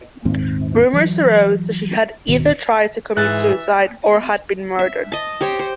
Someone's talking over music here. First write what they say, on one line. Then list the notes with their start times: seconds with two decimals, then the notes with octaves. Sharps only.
Rumors arose that she had either tried to commit suicide or had been murdered.
0.25 D#1 G#2 D#3 C4
0.93 E3 F#3
2.28 D#1 G#1 B2 D#3
3.17 G#2 E3 E5 F#6 A6
4.79 E5
5.12 D#5 A5
5.41 G4 C5 C#5
5.59 C5